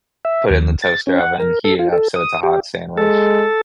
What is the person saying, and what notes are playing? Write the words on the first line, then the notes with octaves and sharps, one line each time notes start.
Put it in the toaster oven, heat it up so it's a hot sandwich.
E5
D#2
A6
C#4
F#5
A#4
A4
F4
A4
D#6
G4
G#3 A4